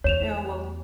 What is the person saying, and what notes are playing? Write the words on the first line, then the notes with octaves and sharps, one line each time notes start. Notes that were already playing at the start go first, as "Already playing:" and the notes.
Yeah, well,
E2 C#5 E7 F7